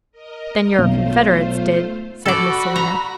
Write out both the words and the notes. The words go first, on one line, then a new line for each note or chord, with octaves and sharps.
'Then your confederates did,' said Miss Selina.
A#4 D#5
B1 A3 F4 C5
F#4 A4 D5 B5
A#5